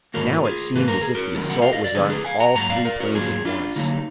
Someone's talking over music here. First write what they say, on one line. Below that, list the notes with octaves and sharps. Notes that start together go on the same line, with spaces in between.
Now it seemed as if the assault was on all three planes at once.
G#2 D#3 A#3 F#4 A#4
F4 G#4
G#2 D#3 A#3 B4
A#4
G#4
F#4 A#4
D3 F3 G#3 B3
F#5
F5
D#5
D5
D3 F3 G#3 B3 G#4 B4
G#4 B4
F5 G#5
F#5 A#5
G#2 F#3 A#3 F#5 A#5
D5 F5
A#4 D5
F#4 A#4
G#2 F#3 A#3 F4 G#4
D4 F4
D3 F#3 A#3 D#4